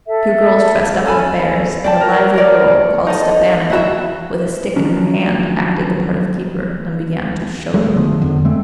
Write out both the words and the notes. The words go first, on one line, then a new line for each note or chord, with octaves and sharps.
Two girls dressed up as bears, and a lively girl, called Stepanida, with a stick in her hand, acted the part of keeper, and began to "show them."
A4 E5
C#4 A4 G#5 B5
D5 G5 A5
A#4
A#4 C#5 D5
D#4 A4 D#5
E4 F#4 A4 E5
D#3 F3 F#3 C#4 D4
F#3 G#3 A3
D3 F3 B3
F2 D3
G#3 A3 C4